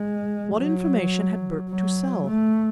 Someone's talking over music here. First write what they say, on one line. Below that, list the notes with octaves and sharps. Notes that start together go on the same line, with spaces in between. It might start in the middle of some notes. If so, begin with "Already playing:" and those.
What information had Burke to sell?
Already playing: G#3
F#3
F#3
A3